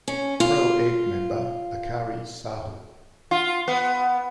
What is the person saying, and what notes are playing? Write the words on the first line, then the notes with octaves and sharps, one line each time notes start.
Pro Egg member Akari Saho.
C#4
F4
F4
B3